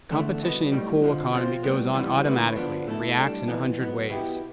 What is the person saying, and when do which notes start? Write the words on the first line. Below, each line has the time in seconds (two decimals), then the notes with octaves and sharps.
The competition in coal economy goes on automatically and reacts in a hundred ways.
0.10 E2 D3 A3
0.41 C2 B2 B3
0.72 B1 A2 G3
1.02 F2 D3 F3
1.33 C3 F3 C4 F4 C5
1.63 A2 G3 B3
1.94 C3 E3 G3 B3
2.25 D2 D3 A3 E4 B4
2.56 D3 F3 B3 D4
2.86 B2 A3 E4 A4
3.17 B1 A2 G3 D4 A4
3.48 F2 E3 B3
3.79 B1 B2 B3
4.09 B2 B3 E4 G4